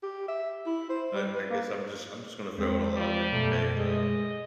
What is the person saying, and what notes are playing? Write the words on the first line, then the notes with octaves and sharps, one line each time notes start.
I I guess I'm just I'm just gonna throw it all out there. Okay? Uh,
G4
E5
E4
C5
G3
B4
A#3
E2 G#3 C4
F3 G3
F#2 B2 A3
G#3 D#5